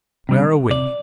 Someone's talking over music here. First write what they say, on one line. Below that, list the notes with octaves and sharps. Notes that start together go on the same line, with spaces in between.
Where are we?
C3 G3 D4
C3 D5